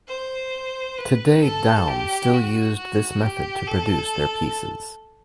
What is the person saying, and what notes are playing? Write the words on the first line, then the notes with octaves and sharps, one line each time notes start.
Today Daum still used this method to produce their pieces.
C5
B4
A4
G4
F#4
F#4
G4
A4